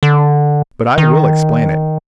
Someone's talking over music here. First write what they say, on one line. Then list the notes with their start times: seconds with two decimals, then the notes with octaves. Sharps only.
But I will explain it.
0.03 D3
0.98 D#3